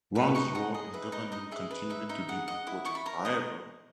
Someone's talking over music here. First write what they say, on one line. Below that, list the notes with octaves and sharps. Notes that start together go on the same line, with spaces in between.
Wang's role in government continued to be important, however.
B4 B5
B5
D#4 C#6
D#4 F#5
G#4 D#5
B4 E5
D#4 D#5
D#4 D#5
G#4 E5
B4
D#4 E5
D#4 E5
G#4 F#5
D#5 F#5
E4
E4 C#6
B5
A#4 A#5
D#5 D#6